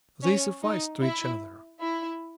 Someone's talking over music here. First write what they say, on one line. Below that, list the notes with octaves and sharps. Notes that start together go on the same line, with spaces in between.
They sufficed to each other.
C#4
D#4
E4
E4